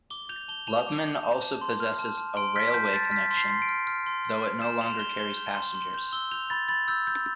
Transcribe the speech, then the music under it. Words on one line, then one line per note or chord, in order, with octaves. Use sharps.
Lubmin also possesses a railway connection, though it no longer carries passengers.
D6 G7
G6 F7
A5 G7
A5 F7
D6
G6
A5
A5
C6
F6
A5
A5
C6 D7
F6 B6
A5 G6
A5 A6
F6 B6
C6
C7
C6
D7
F6
F6
C6
C6
F6
G6 E7
C6 F7
C6 G7
G6 G7
G6
C6
C6
G6
E6 G7
G6 F7
B5 A6
B5 A6
E6 G6
G6